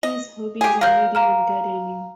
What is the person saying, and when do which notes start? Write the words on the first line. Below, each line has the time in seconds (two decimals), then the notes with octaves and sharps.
His hobbies are reading and gardening.
0.03 D#5
0.61 G4 G#4
0.81 F#3 A#4 F5 F6 G6
1.15 F5 A#5 F6